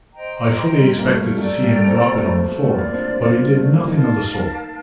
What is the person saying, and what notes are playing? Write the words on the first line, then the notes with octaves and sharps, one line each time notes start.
I fully expected to see him drop it on the floor, but he did nothing of the sort.
C5 D#5 G5 A#5
G3
G3
A#3
A3
G3
A3 A4 D5 G5 A#5
G3
A#3
A3
C4
C4
A3
A3
A3 F4 A#4 D5
A#3
C4
D4
C4
A#3
G3
A3
A#3
D#4 A#4 F5 A5